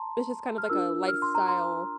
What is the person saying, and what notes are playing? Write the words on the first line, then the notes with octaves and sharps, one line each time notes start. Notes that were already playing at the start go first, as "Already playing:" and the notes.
It's just kind of like a lifestyle
Already playing: A5 A#5 C6
F6
D4 F4 A#4 E6
F6
C6
A#5
C6